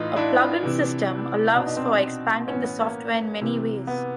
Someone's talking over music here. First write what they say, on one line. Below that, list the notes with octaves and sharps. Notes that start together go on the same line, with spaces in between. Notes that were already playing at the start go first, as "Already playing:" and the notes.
A plugin system allows for expanding the software in many ways.
Already playing: A2 E3 D#4 F4
D4 E4
C3 E3
B2 D4
D#4
C4 D4
A2 E3 B3 C#4
B3
A#3
C3 E3
B3